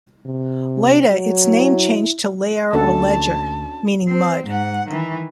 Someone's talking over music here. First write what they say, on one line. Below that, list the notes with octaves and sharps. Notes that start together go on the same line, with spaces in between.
Later its name changed to Leire or Leger, meaning 'mud'.
C3
F#3
E4
D2 A#3 C#4 D4 F#4 A4 F#5 A5
C4
G#2 F#5
D#3 E3